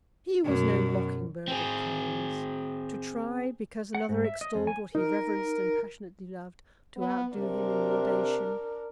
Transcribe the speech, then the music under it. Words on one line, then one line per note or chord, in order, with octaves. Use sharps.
He was no mocking-bird of praise, to try because another extolled what he reverenced and passionately loved, to outdo him in laudation.
F#2 B2
C4 G#4
F#5
G#2
E5
D#5
F2
G#5
D#4 A#4
B3
C3 D4 A#4